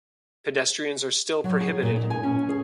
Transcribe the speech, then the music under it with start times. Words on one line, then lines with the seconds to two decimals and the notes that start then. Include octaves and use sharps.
Pedestrians are still prohibited.
1.44 F#3
1.60 G#4
1.82 A#2
1.96 D#4
2.10 G#5
2.23 C#4
2.49 G#4